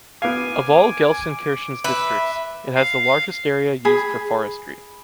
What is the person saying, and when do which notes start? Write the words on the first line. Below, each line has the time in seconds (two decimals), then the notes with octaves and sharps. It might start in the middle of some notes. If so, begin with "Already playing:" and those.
Of all Gelsenkirchen's districts, it has the largest area used for forestry.
0.22 B3 F5 G#5 D6
1.84 B4 E5
2.76 F5
3.85 G#4 B5